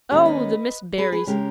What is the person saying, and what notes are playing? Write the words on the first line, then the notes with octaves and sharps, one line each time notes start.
Oh, the Miss Berrys!
D#2 D#3 A#3 C#4 G4 A#4
B4 D#5
G#4 B4
G#4 B4
C#3 G#3 C#4 G4 A#4